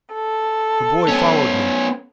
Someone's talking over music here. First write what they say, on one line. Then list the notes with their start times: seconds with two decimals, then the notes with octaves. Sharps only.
The boy followed me.
0.14 A4
1.08 B3 C#4